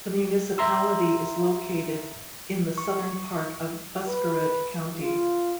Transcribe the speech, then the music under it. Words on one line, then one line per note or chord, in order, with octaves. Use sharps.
The municipality is located in the southern part of Buskerud county.
E5 A#5 C6 E6
C#6
B4
F4